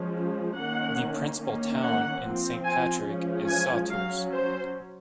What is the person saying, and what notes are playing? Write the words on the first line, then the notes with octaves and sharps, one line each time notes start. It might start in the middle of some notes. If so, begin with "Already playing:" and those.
The principal town in Saint Patrick is Sauteurs.
Already playing: F3 G#3 C#4
D#3 A#3 C#4 F#5
D#3 A#3 C#4
F#5
F3 C4
G#5
F3 G#3 C#4
G#5
F#3 C#4 F5
C5